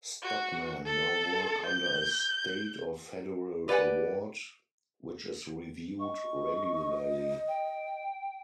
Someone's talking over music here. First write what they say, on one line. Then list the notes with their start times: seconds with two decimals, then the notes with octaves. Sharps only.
Stockmen now work under a state or federal award, which is reviewed regularly.
0.23 F#4
0.85 A4
1.66 G6
3.68 G4 B4 D5 F5 F#5 G#5
6.00 D#5 C#6
7.48 G5